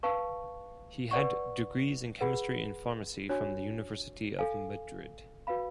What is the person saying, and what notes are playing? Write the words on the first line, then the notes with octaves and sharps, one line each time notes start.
He had degrees in Chemistry and Pharmacy from the University of Madrid.
B4 F5 A5 C#6
B4 D5 F#5 C#6
G#4 B4 F#5 B5
D4 F#4 C#5 G#5
A4 F5 G#5
F#4 B4 F5 B5